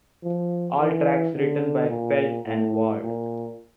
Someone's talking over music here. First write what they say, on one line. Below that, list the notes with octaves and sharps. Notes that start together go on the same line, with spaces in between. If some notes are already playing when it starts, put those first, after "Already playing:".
All tracks written by Felt and Ward.
F3
E3
D3
A#2
A2
A#2